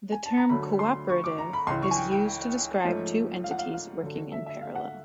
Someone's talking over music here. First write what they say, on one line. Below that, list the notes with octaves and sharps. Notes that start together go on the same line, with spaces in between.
The term "cooperative" is used to describe two entities working in parallel.
G#5
A5
A#5
D2 D3 F#3 B5
C6
C#6
D6
A#5
B5
C#2 C#3 E3 C6
C#6
G#5
G5
G5
G#2 F3 A3 C#4
F5
F#5
F5
F5
D2 D3 F#3
E5
E5
F5
F#5